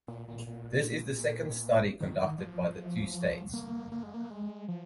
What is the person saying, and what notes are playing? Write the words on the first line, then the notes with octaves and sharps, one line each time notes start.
This is the second study conducted by the two states.
A#2
A#2
A#2
D#3
F3
A#3
A#3
G#3
A#3
G#3
F3